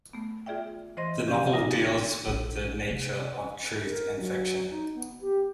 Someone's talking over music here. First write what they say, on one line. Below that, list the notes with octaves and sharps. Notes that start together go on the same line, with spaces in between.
The novel deals with the nature of truth and fiction.
A3 B3
F4 G#4 D5 E5 G5
E3 C5 D#5 C6 A#6
C3 F3 C#4 G4
A#2 D4 D#4 F4 A#6
A#6
A#1
C3
A#4
F#3
D#4
B3
G4